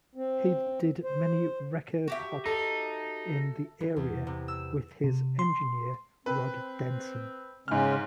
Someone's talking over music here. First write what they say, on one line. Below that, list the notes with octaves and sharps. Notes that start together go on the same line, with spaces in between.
He did many Record Hops in the area with his engineer Rod Denson.
C4
C5
F#4 G4 E5
D#4 A4
E3
E2
C3
E6
C3
C6
C4 B4
G#2 C#3 G#3 C#4 F6